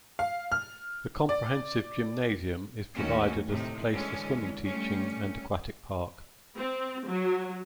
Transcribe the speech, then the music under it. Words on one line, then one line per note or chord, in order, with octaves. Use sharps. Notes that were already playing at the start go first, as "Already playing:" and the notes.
The comprehensive gymnasium is provided as the place for swimming teaching and aquatic park.
F5
F6
D5
D#2 A3 C#4 F#4
A2 C3 D#4
D3 E3 G#3 C#4
G3 A3 C#4
C4
F#3